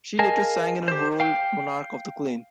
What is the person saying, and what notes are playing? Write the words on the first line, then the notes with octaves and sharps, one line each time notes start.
She later sang in her role on Monarch of the Glen.
G#4 A#4 D#5 F5 G#5 A5
G4 C5
F5 G5